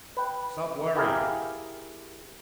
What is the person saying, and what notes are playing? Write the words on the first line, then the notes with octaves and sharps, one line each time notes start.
"Stop worrying!"
B4 G5
E4 G4 G#4 A#4 F5